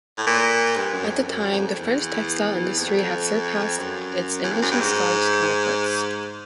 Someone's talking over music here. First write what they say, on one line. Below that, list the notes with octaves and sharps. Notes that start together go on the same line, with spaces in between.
At the time, the French textile industry had surpassed its English and Scottish counterparts.
A2
A#2
G2
F#2
F2
F#2
F2
E2
F2
F#2
E2
F2
F#2
G2
G#2